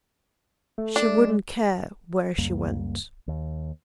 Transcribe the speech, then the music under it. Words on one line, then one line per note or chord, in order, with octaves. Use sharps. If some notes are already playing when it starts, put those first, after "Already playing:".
She wouldn't care where she went.
A3
D4
G#3
C#2 F#2 G3 A#3
D#2